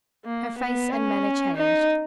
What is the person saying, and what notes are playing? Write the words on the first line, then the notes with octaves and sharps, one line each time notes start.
Her face and manner changed.
A#3
B3
C#4
D#4